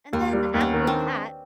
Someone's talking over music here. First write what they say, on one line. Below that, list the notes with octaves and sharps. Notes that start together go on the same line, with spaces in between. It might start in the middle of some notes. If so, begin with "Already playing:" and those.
And then, after that
D#2 A#3
G3
D#2
B3 C#4
D#3
C4 D4